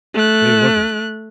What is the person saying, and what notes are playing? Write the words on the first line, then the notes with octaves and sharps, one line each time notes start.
"They look it."
A3 F#6